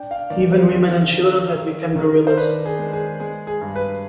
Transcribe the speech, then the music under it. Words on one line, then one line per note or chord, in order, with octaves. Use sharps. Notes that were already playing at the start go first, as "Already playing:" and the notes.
Even women and children have become guerrillas.
Already playing: D4 G5
F5
D#3 D5
C5
D4
D#3
D#3
D#3
C5
D4 B4
G#4
G#3
G#4
G#3 G#4
G#4
G2
B4